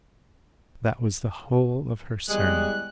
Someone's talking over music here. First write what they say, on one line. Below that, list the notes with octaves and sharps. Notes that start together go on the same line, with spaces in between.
That was the whole of her sermon.
E2 G3 G#3 F#6